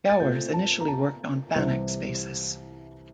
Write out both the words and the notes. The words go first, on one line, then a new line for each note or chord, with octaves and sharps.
Gowers initially worked on Banach spaces.
A6
A#2 A3 C4 G6
A5
A#5
A5
C2 C3 E3